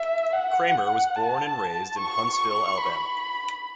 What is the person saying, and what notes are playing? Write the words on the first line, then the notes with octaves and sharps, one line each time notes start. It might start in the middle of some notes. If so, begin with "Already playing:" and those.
Cramer was born and raised in Huntsville, Alabama.
Already playing: E5
F#5
A5
C#6
B5